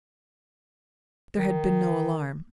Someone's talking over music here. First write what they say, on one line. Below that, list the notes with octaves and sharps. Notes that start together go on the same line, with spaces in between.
There had been no alarm.
D#3